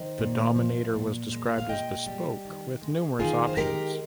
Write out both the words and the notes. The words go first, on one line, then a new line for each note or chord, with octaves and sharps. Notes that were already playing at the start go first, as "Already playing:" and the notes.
The Dominator was described as bespoke, with numerous options.
Already playing: D#3 C5 D#5
A#2
F3
A#2
G#3
F5
A#2 D#5 G5
G3
D#3
G#3
D#3 F4 G#4
C5
G#3 G4 A#4